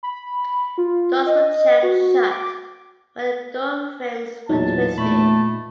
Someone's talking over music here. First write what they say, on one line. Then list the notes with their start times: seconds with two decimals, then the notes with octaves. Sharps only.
Doors were jammed shut when the door frames were twisted.
0.03 B5
0.78 F4
1.26 D#5
1.83 F#4
2.31 D6
4.49 E2 A#2 F#3 D#4 A5
4.98 A#2 A3 B5